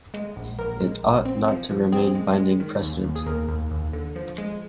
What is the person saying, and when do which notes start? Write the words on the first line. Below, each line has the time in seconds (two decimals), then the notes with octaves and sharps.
It ought not to remain binding precedent.
0.14 G#3
0.36 A#1
0.59 A#1 A#4
0.81 G#3
1.03 A#1
1.25 C4
1.48 F3
1.70 F3
1.92 C4 G#4
2.15 G#3
2.37 G#3
2.60 D#3
2.82 D#2
3.04 D#2
3.16 G#4
3.26 D#2 A#4
3.48 D#2
3.71 D#2
3.93 D3
4.16 F3
4.38 G#3